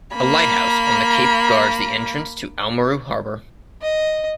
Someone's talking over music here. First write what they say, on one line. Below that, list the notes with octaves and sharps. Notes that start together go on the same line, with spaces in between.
A lighthouse on the cape guards the entrance to Oamaru Harbour.
A#3 B5
D#5